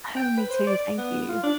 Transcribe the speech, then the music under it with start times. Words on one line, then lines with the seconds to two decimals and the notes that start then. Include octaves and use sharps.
Oh, me too, thank you.
0.17 G5
0.37 B4
0.50 C5
0.67 D5
0.98 B3
1.29 F4
1.43 D4